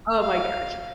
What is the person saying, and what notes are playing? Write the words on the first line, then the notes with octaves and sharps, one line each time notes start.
Oh my gosh.
F5